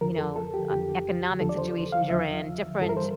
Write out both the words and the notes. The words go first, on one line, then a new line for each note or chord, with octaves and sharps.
you know, m e economic situations you're in, y ge different
F2 D3 F3 A#4
A4
A4
G4
F2 D3 F3 G4
E2 D3 F3 A4
D5
C5
F5
E2 D3 F3 E5
G2 E3 A4
A#4
C5